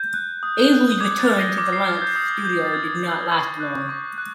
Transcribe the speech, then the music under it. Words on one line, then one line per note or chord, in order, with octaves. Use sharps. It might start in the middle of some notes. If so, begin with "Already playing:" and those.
Avery's return to the Lantz studio did not last long.
Already playing: G6
F#6
D#6
F#6
D6 G#6
A6
F6
A#6
D6
C7
F6 G#6
G6
D#6
G6
A6
D#6 G#6
G6
C#6
F#6
C#6
F#6